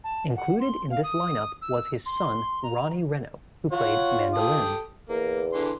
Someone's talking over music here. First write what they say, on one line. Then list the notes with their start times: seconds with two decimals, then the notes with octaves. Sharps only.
Included in this lineup was his son, Ronnie Reno, who played mandolin.
0.04 A5
0.36 F#5
0.60 C6
0.91 F5
1.04 D#6
1.62 E6
2.06 C6
2.63 A#5
3.72 F4 C#5 F#5
4.34 G4 A4 D#6
5.09 E2 A#3
5.54 D3 E3 C6